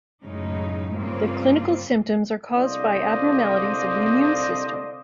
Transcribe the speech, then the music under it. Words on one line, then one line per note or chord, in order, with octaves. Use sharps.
The clinical symptoms are caused by abnormalities of the immune system.
F#2 A2 C#3 G#3 D#4
G2 C#3 A#3 C4 F4
C2 D3 C5 D5 D#5 F5